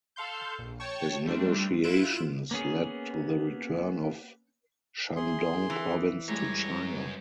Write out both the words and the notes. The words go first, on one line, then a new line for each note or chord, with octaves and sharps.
His negotiations led to the return of Shandong Province to China.
A4 F5 C6 G6
A#1
C#5 G5 A5 C#6
G3 A3 C4 D4
E4 F4 F#6 D7 E7
A#3 B3 C#4 G#4
C4 E4 G#4 C6
E3
F#2 G3 G#3 C#5 A#5